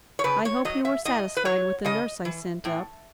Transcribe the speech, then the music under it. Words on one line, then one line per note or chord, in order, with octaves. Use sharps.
I hope you are satisfied with the nurse I sent up.
C#5
C#3 B4
C#5
F#3 D#5
E5
A2 D#5
B4
F#3 C#5
C#3 D#5
E3
A2